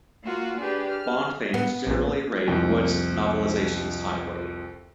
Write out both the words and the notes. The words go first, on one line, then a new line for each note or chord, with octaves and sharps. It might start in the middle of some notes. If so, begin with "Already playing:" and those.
Bond fans generally rate Wood's novelisations highly.
A#3 F4 F#4
D4 G4 G#4 B4
F6
B3
A#1 A#2
C2 F2